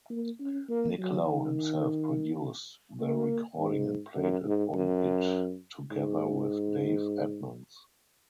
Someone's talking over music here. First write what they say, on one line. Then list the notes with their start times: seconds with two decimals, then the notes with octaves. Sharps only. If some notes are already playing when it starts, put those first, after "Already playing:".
Nick Lowe himself produced the recording and played on it together with Dave Edmunds.
0.10 A#3
0.40 C#4
0.69 A#3
0.98 F#3
1.27 D#3
3.00 A#3
3.58 G#2
4.17 F#2
4.45 G#2
4.74 F#2
5.91 G#2